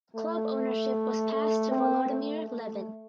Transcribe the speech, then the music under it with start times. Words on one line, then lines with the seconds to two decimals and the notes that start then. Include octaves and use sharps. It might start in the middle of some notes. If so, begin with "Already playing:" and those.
Club ownership was passed to Volodymyr Levin.
0.15 A3
1.32 A3
1.71 C4
2.09 A3
2.49 A3